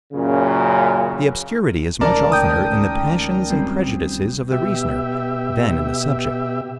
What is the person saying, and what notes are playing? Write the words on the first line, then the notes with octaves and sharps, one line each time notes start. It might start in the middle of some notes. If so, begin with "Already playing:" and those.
The obscurity is much oftener in the passions and prejudices of the reasoner than in the subject.
F#2 A#2 C#3
C#2 A2 D#3 A#4 D5 A5
G5 D#6
F#3 G3 C4
B2 G4 E5